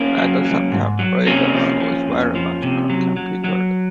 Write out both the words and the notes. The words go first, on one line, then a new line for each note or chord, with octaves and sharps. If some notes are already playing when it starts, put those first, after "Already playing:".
At the same time, Burroughs was very much a competitor.
Already playing: A#3 C#4
F#3
F#3
G#2
F#3
C3 A#3 C#4
F3
F3
F2
F3
C3
F#3
F#3
F#3